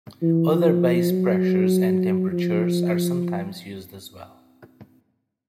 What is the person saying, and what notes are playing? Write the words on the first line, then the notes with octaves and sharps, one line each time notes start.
Other base pressures and temperatures are sometimes used as well.
E3
F3
F#3
F3